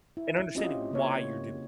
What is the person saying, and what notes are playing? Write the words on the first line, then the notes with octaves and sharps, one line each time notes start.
and understanding why you're doing it.
E4
C4 C#4 E4 F4 G4 D#5
C#3 A#3 C#5